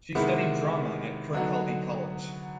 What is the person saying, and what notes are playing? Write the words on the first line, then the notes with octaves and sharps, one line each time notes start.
She studied drama at Kirkcaldy College.
C3 D#3 G#3 B3 E4
D3 F#3 B3 D#4 F#4